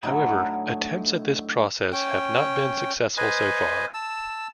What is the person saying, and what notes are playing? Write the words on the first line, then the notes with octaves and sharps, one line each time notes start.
However, attempts at this process have not been successful so far.
A2 D3 F#3 D#4
C#4 G5
B4 C5 D#5 G#5
A5 E6